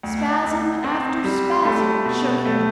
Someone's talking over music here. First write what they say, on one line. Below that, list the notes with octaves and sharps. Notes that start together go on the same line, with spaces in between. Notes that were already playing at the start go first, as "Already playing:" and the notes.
Spasm after spasm shook him.
D2
D2
C4
G3
A3
B2
A3